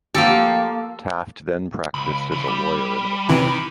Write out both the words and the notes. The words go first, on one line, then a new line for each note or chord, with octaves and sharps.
Taft then practiced as a lawyer in Ohio.
F3 A#3 G4 A4
C#2 B5
C#3 E3 B5
G3 D6
C3 D#3 E3